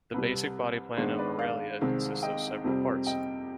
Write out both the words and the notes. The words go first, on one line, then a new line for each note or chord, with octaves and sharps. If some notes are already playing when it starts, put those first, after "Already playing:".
The basic body plan of "Aurelia" consists of several parts.
C2 C3 G3 B4
G2 D#3 G#3 B3 D4 C5
B4 D5
D5 F5
C2 C3 D#3 G#3 C4
D#5 G5
F2 C3 G3 C4
D#5 G5